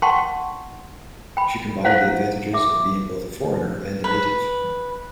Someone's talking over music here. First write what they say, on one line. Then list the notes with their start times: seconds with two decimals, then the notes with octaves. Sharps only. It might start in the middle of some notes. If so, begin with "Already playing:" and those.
She combined the advantages of being both a foreigner and a native.
0.02 F#5 G5 A5 C6 C#6
1.37 G5 B5
1.85 E4 C5 C#5 F5 F#5
2.54 E5 D6
4.04 B4